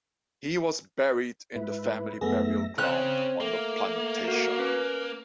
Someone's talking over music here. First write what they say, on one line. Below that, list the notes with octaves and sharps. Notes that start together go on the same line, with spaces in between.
He was buried in the family burial ground on the plantation.
G#2 E4 B4
F#2 A3 B3 G#4 E5 A#6
C#3 C4 C#4 F#6
A3 A#3
F#4 A#4
C#4 B4